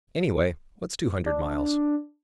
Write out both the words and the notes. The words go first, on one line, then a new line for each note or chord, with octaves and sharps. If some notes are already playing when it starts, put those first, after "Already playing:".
Anyway, what's two hundred miles!
D4